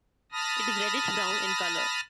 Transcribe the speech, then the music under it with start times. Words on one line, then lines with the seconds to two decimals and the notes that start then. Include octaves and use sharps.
It is reddish-brown in color.
0.32 A5 B5 D#6 F6 A#6